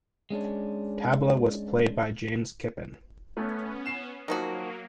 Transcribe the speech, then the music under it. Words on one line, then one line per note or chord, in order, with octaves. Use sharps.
Tabla was played by James Kippen.
G#3 C#4 D4
A3 B3 C#4
C7 E7
D#3 F3 F#3 A#3 F#4 D#6